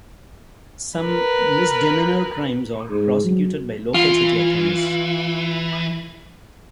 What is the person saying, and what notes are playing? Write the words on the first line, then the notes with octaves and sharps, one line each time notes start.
Some misdemeanor crimes are prosecuted by local city attorneys.
A#4 B4
G#2
F#3
E3 F4